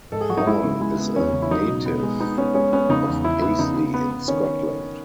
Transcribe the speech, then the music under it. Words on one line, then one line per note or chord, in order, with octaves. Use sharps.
Hall is a native of Paisley in Scotland.
G#2 A4
G#4
F#3 F#4
D#4
G#3 E4
C#3
G#3 E4
B3
E2 C#4
C#3
E4
F#3 D#4
B2
B3
G#3
B3 D#4
B3 C#4
G#3 C#4
B3 C#4
C#3 D#4
E2
C#3 E4
B3 E4
C#3 D#4
B3
B3
B3
D#3 C#4